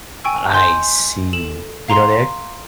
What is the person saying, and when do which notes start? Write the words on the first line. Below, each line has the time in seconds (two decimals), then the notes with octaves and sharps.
I see. You know they
0.24 G5 G#5 C#6 E6
0.53 D#5 G#5 C6 G6
1.33 A4 E7 F#7
1.88 F5 A#5 C6